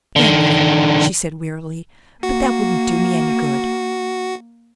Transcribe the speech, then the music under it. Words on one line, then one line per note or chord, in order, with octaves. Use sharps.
"Thank you," she said, wearily, "but that wouldn't do me any good."
D3 D#3
A#3 F#4